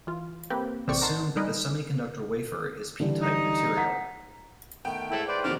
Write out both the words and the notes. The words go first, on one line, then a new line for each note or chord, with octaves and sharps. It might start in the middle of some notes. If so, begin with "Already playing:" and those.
Assume that the semiconductor wafer is p-type material.
E3 F4
A#3 C4 G4 B4
A1 C3 C4 D5 C#6
D#4 A#4 F#5 A5 C6 A6
G3 D#4 G#4 A#4 B4 D#5
D3 E3 G3
D#4
F#5 A#5 B6
D#3 A3 B3 G5
G#2 E4 A4
B4 C5 D5
A#1 B2 D#3 C4 D4 D5 F6